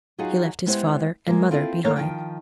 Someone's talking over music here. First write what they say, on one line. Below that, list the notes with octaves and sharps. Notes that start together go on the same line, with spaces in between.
He left his father and mother behind.
F#3 D#4 F4 F#4 G#4
G#3 B3 E4 G4 C5
G#3 A#3
C4 E4 F4 A4
D#2 A#3 A4 A#4 C#5
D#3 F3 G5